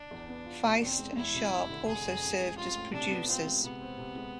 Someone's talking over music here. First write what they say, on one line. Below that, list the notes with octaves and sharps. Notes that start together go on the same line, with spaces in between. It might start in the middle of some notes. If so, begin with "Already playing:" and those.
Feist and Sharpe also served as producers.
Already playing: D4
E2
B3
F4
B2
E2 C4
G#3
E2 E4
C3
F1
D3
F1 G#4
F2
A1
G#3
A1 F4
A2
C3 D4
B3
C4 F4
G#3
C3 B3
C4
C3
G#3